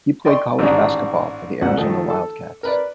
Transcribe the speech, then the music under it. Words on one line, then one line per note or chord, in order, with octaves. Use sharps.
He played college basketball for the Arizona Wildcats.
D5 D#5 G5 C6 C#6
A1 G#2 D#3 D4 A#5
C2 A#2 F#5
D#3 F3 A3
A4
A#4 B4 D5